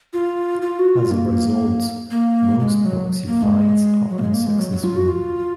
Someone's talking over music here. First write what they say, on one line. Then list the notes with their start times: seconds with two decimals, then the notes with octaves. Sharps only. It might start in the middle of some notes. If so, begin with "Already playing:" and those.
As a result, most proxy fights are unsuccessful.
0.13 F4
0.62 F4
0.79 F#4
0.96 F4
1.11 A#3
2.11 A#3
2.60 G#3
2.85 F#3
3.27 A#3
3.43 G#3
4.09 F#3
4.18 A#3
4.22 G#3
4.34 A#3
4.46 G#3
4.59 F#3
4.71 F#3
4.84 F4
4.96 F#4
5.08 F4